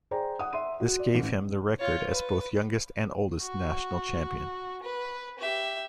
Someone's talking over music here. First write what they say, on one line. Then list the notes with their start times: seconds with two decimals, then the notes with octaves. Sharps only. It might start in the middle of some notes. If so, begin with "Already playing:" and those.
This gave him the record as both youngest and oldest national champion.
0.11 G#4 C5 D5 G5 A#5
0.39 F#5 D#6
0.53 E5 C6 D#7
0.80 F#4
0.99 D5
1.15 A1
1.79 F4 C#5
2.10 B4
3.41 F#4
4.83 B4
5.39 G4 E5